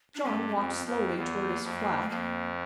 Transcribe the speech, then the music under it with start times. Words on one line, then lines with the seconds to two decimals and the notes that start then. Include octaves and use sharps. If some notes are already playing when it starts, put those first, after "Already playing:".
John walked slowly toward his flat.
0.15 D4
0.24 G2 C#4
0.48 C#4
0.55 F2 C4
0.77 C4
0.86 F2 B3
1.08 A#3
1.17 E2 B3
1.47 A#3
1.63 F2
1.79 A#3
2.02 A3
2.09 F2 A#3